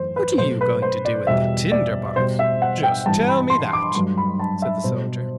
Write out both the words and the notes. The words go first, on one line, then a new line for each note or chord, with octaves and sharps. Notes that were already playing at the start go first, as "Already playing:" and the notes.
"What are you going to do with the tinder-box, just tell me that?" said the soldier.
Already playing: F#2 E3 A3 C5
B4
B2 F#3 A3 C5
B4
C5
D5
E2 B2 G3 E5
D5
B2 G3 C5
E5
F#5
G5
G2 E3 G3 A5
B5
C6
D6
G2 F#3 A3 C6
B5
A5
E5
B2 G3 C5